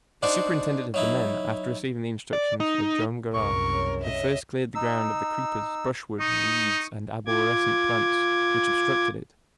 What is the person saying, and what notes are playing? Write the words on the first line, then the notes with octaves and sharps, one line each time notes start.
The superintendent of the men, after receiving the instructions of Joam Garral, had first cleared the ground of the creepers, brushwood, weeds, and arborescent plants which obstructed it.
D4 D#4 F#4 C5 D5 F#5
F#3 D#4 E4
D5
D#4
C2 F#2 G#4 A#4 C6 C#6
C#3 G3 A#3
F#3 D#5 E5
D#4 E6
D#4 C#6 D#6
F4 D6 G#6